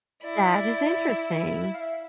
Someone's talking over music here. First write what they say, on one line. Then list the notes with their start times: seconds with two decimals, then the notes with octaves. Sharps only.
That is interesting.
0.24 E4 D5
1.74 F5
1.80 E5